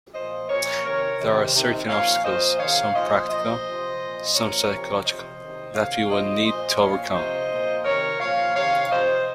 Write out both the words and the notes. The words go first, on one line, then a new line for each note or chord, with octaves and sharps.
There are certain obstacles, some practical, some psychological, that we would need to overcome.
A#2 F3 C5 D#5
A#2 F3 A#4 C#5
C3 D#3 A#4 C#5
C3 D#3
C3 D#3
A#2 F3 C#5 F5
A#2 F3 C5 D#5
C3 D#3 C#5 F5
A#2 F3 C5 D#5
A#2 F3 C5 D#5
C3 F3
A#2 F3
A#2 F3 A#4 C#5
C3 F3
C3 F3 C5 D#5
C3 D#3
C3 D#3 C#5 F5
A#2 F3 C5 D#5
A#2 F3 C5 D#5
A#2 F3 C#5 F5
C3 F3 C5 D#5
A#2 F3
C3 D#3 A#4 C#5
A#2 F3 C#5 F5
C3 D#3 C#5 F5
C3 F3 C5 D#5